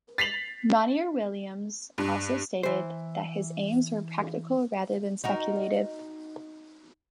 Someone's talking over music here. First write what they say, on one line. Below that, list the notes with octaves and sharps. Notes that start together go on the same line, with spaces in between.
Monier Williams also stated that his aims were practical rather than speculative.
A6 B6 C7 F7 F#7
G2
E3 C5
D#4 F#4 A#4